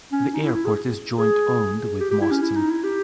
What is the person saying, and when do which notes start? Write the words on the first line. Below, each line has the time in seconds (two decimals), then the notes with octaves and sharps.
The airport is joint owned with Mauston.
0.12 C#4
0.34 D#4
0.44 E4
0.54 E4
0.65 G#4
1.17 G#4
2.00 G4
2.11 G4
2.21 E4
2.31 C#4
2.43 E4
2.56 D#4
2.71 E4
2.84 G4